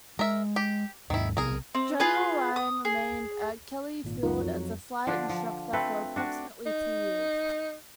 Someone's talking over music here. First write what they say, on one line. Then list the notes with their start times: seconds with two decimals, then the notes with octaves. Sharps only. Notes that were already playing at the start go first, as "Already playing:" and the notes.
General Ryan remained at Kelly Field as a flight instructor for approximately two years.
0.19 G#3 A#4 E5
0.56 G4
1.10 D#2 G#2 D#3 E4
1.37 B1 C3 B3 G#4 A#4
1.75 C4
2.00 F4 G#4 B4
2.56 D#6
2.85 G#4
4.04 G#1 A#2
4.23 C#2 F#2 B3 D#4 F4 A#4
4.40 F2 F#3
5.07 D3 F3 D4 F4
5.30 F3
5.73 A3 C4 A4 B4
6.16 D4 F#4 D5
6.66 D#4